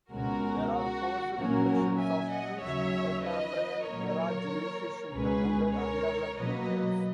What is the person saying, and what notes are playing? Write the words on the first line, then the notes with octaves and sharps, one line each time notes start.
There are fossil impressions of huge Precambrian Era jellyfish in the wooded, undeveloped regions.
C#2 B2 G#3 C#4 F#4 A#4
F#4
A#2 F#3 A#3 C#4 F#4 A#4
E5 G#5
D#5 F#5
D#2 C#3 F#3 C#5 E5
B4 D#5
A#2 F#3 A#3 A#4 C#5
C#2 B2 G#3 C#4 G#4 B4
A#4 C#5
B2 F#3 A#3 B4 D#5